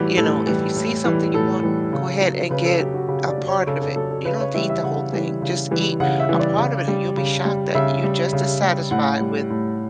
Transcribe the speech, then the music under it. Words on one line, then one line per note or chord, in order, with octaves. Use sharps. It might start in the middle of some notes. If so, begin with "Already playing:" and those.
you know, if you see something you want, go ahead and get a part of it. You don't have to eat the whole thing, just eat a part of it, and you'll be shocked that you're just as satisfied with
Already playing: A2 E3 G3 F#4 G4
A2 A4
E3 G3
A2
E3 G3
A2 A4
E3 G3
C#3
F#3
C#3 B4
A4
F#3 G4
F#4
C#3 G4
D5
F#3
C#5
C#3 A4
A4
F#3 A4
A4
C#3 B4
C#5
E3 G3 E5
E5
C#3 F#5
E3 G3
C#3
E3 G3
C#3 F#5
E5
E3 G3
D5
C#3
G3
C#3
G3
C#3 E5
G3
C#3
G3
A2 F#5
G3
A2